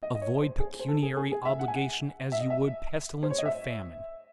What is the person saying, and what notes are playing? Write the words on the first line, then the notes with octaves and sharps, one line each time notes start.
Avoid pecuniary obligation as you would pestilence or famine.
D#5
D#5
C#5
C5
G#4
C5
A4
G#4
G#4
G#4
E5
F#5
G#5
F#5
E5
D#5
E5
C5
C#5
D#5
E5